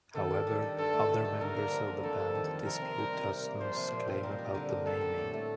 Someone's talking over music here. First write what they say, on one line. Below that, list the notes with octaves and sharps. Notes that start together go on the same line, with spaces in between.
However, other members of the band dispute Huston's claim about the naming.
D#3 A4
D4
G3
D#3
G2 A4
A3
D3
D#4
D3 A#4
A#3
F3
D3
F2 A4
G3
D#3
F2
C3 A#4
C4
G3
D#4
C3
A#3
F3 C5
C3
A#2
C4
G3 A#4
D#4
D3
D4
G3 A4
D3
A2
A3